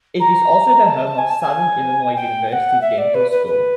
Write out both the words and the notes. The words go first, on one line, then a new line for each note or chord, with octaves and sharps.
It is also the home of Southern Illinois University Dental School.
A#5
A5
G#5
A5
G#5
G5
G5
F#5
E5
D5
B4
B4
B4